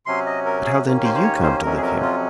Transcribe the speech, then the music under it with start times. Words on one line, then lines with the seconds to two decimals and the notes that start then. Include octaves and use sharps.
"But how then do you come to live here?"
0.06 C3 F#3 C#4 C6
0.26 D#5
0.45 A#4
0.65 G#4
0.85 D#2 D#3 A#3 C#4
1.04 C5
1.14 C5
1.23 C#5
1.43 C5
1.62 F2 C3 F#3 C#4 A#4
1.77 G#4
1.82 A#4
2.02 F4